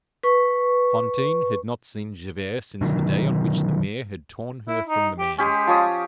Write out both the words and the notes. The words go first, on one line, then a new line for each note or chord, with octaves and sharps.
Fantine had not seen Javert since the day on which the mayor had torn her from the man.
B4 C#6
B2 D3 D#3 F#3
E4
D#4
G4
G#3 C#4 G4
F3 C#5 D#6